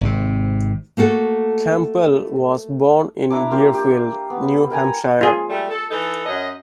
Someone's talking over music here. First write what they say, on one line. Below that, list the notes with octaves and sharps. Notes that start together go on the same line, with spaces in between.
Campbell was born in Deerfield, New Hampshire.
G#1 C3
A3 A#3 F#4 A4
D4 E4 A#5 D6
A#3 F4 G4
G4
B3
A#4 G5 G#5 A#5
F4 G#4
G3 A3
A4
E3 D#4 A4
F#2 D#5